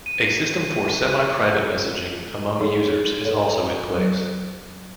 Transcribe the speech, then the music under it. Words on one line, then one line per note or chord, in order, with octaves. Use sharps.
A system for semi-private messaging among users is also in place.
D#7
D#4 G#4 A4 C#5
A4 C#5
F#3